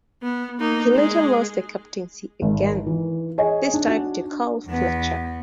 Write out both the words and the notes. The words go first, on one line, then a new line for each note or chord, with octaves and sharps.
He later lost the captaincy again, this time to Carl Fletcher.
B3
A#3 D#4
G#3 G#4
G#1
E3
G#4 C#5 D#5 G#5
D4
D4 F#4
E2 B3